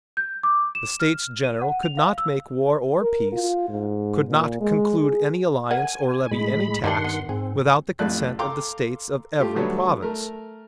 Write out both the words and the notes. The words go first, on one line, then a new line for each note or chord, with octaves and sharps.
The States General could not make war or peace, could not conclude any alliance or levy any tax, without the consent of the States of every province.
G6
D6
E7
F6
D#7
F#5
F7
F5
E6
A#4
F4
G#2
A#2
G#3
G#4
A#4 F#5 G#5
A2 G#3 B5
G2 D#3 G3 A3 D4 F#5 C6
B3
G#2 C4 G#4
A1 F2 A2 D5 F#6
A4 F5 G5 A#5 C6 D6
A3 F4 G4
D3 F#3 G3 A3 B3 C#5
A3 A#4